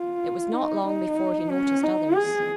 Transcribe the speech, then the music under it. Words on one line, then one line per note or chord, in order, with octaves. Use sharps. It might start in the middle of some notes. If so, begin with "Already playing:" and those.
It was not long before he noticed others.
Already playing: F4
D#4
D#4
C#4
D#4
G#4